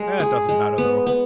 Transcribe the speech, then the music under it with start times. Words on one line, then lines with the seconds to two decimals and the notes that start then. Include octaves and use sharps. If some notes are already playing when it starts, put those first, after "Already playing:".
It doesn't matter, though.
Already playing: G#3
0.20 G#4
0.49 G#3
0.78 B3
1.06 B3